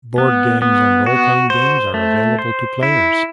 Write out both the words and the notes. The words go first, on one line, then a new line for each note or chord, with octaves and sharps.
Board games and roleplaying games are available to players.
B3
B3
F#4
C5
A3
C5
E4